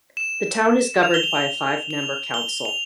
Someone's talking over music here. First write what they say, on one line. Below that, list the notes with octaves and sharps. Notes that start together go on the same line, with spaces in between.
The town is governed by a five-member council.
E7
F7
G7
F7
F7
G7
F7